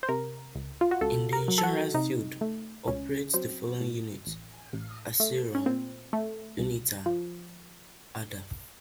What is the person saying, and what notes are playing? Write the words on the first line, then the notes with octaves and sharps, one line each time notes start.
In the insurance field operates the following units: Asirom, Unita, Ardaf.
C5
C3 A#4
C#2
F4
F#4
C#2 A4
A#4
F#3
A4
F#4
C3 D#4
A3
C#2 C#4
F#3 C4
A2
A1
A1
A3
C#4
A#2 C4
A3
C2
F3